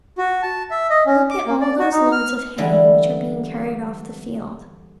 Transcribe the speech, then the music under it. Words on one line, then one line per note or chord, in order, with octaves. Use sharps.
Look at all those loads of hay, which are being carried off the field.
F#4
A5
E5
D#5
C#4
D6
A#3
D5
F#4
D#4
F6
D3 E3 G3 G#5